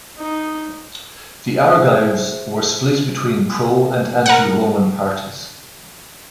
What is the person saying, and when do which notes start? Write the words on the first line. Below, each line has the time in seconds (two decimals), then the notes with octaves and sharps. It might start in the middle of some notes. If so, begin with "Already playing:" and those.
The Argives were split between pro-and-anti-Roman parties.
0.17 D#4
1.67 G#4 C5 E5 F#6
4.26 A#4 F#5